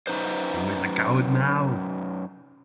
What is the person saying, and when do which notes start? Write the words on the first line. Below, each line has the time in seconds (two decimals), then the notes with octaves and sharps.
Who is coward now?
0.07 F#2 A#3 D#4 B4 C5